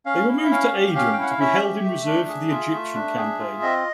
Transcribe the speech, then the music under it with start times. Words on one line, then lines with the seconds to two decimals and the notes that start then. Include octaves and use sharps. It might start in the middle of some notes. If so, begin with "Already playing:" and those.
They were moved to Aden to be held in reserve for the Egyptian Campaign.
0.06 C#4 F5
0.28 E4
0.45 E5
0.51 C#4 F5
0.73 G4
0.95 C#4 F5
1.13 G5
1.18 E4 F#5
1.30 F5
1.40 C#4 E5
1.63 G4
1.85 A3
2.06 D4
2.28 G#4
2.50 F4
2.73 A3
2.95 D4
3.17 G#4
3.40 F4
3.62 C4 D#5